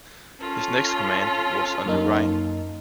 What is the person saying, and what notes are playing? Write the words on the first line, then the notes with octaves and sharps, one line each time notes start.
His next command was on the Rhine.
C#4 F4 A4
F#2 A#3 D#4